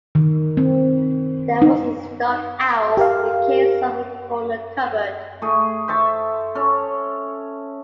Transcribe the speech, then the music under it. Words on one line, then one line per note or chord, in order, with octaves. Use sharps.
There was a stuffed owl in a case over a corner cupboard.
D#3
C4
D#4
G4 A#4 F5
A3 G#4
C5 E5 A5 C#6
C#4 A4 C#5